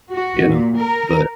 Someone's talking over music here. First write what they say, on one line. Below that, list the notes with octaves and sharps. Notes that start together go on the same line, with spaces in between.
you know, but
F#4
A#2
A#4